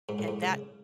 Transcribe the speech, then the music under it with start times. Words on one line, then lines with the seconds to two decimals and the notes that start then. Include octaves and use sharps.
And that
0.09 G#2
0.19 A2
0.28 G#2
0.42 C#3